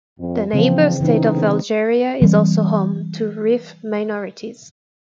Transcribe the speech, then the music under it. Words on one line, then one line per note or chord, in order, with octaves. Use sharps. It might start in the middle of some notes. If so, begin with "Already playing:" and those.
The neighbour state of Algeria is also home to Rif minorities.
F2
C#3 E3 F3 C4
C#3 E3 D#4 E4 B4 C5
D3 G#3 C4
E3 G3 C4